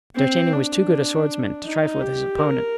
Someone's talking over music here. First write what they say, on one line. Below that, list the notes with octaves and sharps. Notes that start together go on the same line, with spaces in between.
D'Artagnan was too good a swordsman to trifle with his opponent.
C4
D4
D#4
G4
A#4